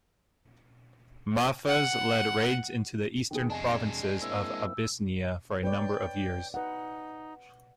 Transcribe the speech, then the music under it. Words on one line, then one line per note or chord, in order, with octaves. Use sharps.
Mahfuz led raids into the eastern provinces of Abyssinia for a number of years.
F#5
D#3 B3 G#4 G5
F2 C3 G#3 D4 D#5 G#5 A5 E6
A#3 C4 E4 E6
B4 C#5 D5 G5
D#4 B4 F#5